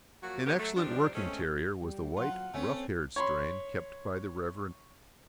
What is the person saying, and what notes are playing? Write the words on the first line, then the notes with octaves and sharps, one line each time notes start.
An excellent working terrier was the white, rough-haired strain kept by the Rev.
F3 F#3 A#3 F#4
B2 D#3 B3 G4 A#4 C#5
F#3 A3
D#3 F3 G3 C4 D4
G#3 A3 C4 C#4
G3
F#3 F4 F#5
A3 C4 C#4
C#5 B5 C6